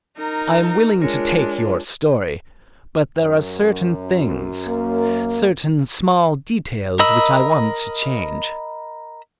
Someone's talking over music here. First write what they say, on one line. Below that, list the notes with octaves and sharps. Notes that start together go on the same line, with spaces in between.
"I am willing to take your story, but there are certain things, certain small details which I want to change."
D#4 A#4
G#3 D4 F4 A#4 C#5
F#2
A#3
A#4 D#5 B5 E6